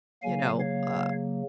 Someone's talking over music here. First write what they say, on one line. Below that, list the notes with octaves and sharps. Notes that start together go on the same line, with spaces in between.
you know, uh
C#3 F#3 A#3 F5 G#5
C#5 F5